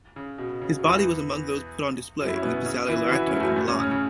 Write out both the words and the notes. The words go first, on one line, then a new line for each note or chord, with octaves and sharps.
His body was among those put on display in Piazzale Loreto in Milan.
C#3
B2
C#3
F#3
E2 E3
F#2 F#3
E4
C#4
B2 B3
C#3 C#4
E3 E4
F#4
E3 E4
C#3 C#4
A3
F#2 F#3
A2 A3
C#3 C#4
C#3 C#4
C#3 C#4